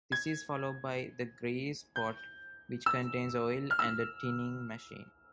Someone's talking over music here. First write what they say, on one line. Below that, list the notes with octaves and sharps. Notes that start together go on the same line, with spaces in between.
This is followed by the grease pot, which contains oil and a "tinning machine".
G#6
G6
E6
F6
E6